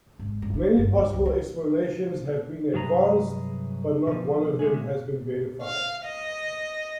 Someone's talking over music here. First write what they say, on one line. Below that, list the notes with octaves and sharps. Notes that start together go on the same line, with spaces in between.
Many possible explanations have been advanced, but not one of them has been verified.
G#1
G2
F4
G1
G2
C#2
F4
G2 C3 F#3 G#4 B4 A#5
B2 F3
D3 G#3 A3 G#4
F5
D#5